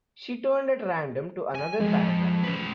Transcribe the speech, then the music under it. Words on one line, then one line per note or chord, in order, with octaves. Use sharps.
She turned at random to another paragraph.
G#5
F2 G#3
C#4 B4